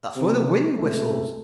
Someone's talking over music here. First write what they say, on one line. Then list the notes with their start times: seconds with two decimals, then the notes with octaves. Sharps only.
That's where the wind whistles.
0.15 C3
0.77 C#2 C3 G#3 A3